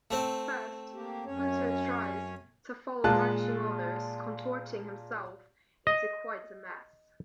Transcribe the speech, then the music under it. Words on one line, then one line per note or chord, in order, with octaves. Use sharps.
First, Pluto tries to follow marching orders, contorting himself into quite a mess.
A3 C4
A#3 G4
F#2 C#4 C#5
A#2 G#3 F4 A5 F#6
D#5